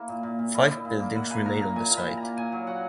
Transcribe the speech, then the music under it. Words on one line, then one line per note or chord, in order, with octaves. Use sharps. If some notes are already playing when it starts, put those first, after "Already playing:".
Five buildings remain on the site.
Already playing: A#3 E4 C#5
A#2
A#2
A#2
E4 D#5
E4
A#2
A#3
E4 F#5
A#3 G#5
A#2 A#5
A#2 A#5
A#2 G#5
A#2
B5
A#2
A#5
A#3
A#2 G#5
F#3
F#3 F#5